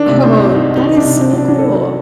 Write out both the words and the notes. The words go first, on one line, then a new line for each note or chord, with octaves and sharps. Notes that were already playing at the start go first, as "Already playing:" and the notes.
Oh, that is so cool.
Already playing: D#3 D4
C3
D#3 C4
C2
C2 D#4
C2
D#4
D#3
C3 D4
F#3 D4
F#3 D4
F#3
A4
D#3